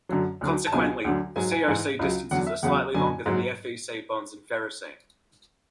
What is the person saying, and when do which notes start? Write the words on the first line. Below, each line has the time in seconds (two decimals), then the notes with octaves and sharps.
Consequently, the Co-C distances are slightly longer than the Fe-C bonds in ferrocene.
0.09 F#2 D3 F#3
0.41 D2 D3 F#3
0.67 A5
0.72 C#2 B2 F#3 G#5
1.05 D2 D3 F#3
1.36 G#2 F#3 G#5
1.52 G#5
1.68 G#2 E3
1.99 C#2 C#3 F#3
2.31 E2 D3 F#3 F#5
2.47 E5
2.63 E2 C#3 F#3 F#5
2.94 F#2 D3 F#3 G#5
3.26 G#2 F#3